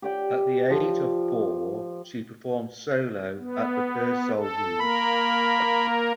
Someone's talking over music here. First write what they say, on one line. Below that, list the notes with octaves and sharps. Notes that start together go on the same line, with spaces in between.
At the age of four she performed solo at the Purcell Room.
G4 D5 G5
F3
B3
A4
A#3 A#4 B5